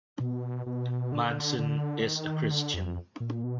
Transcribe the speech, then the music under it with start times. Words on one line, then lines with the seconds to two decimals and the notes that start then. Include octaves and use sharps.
Madson is a Christian.
0.20 B2
0.66 B2
1.12 D3
1.58 D3
2.05 D#3
2.51 D3
2.74 F2
3.20 A#2
3.44 B2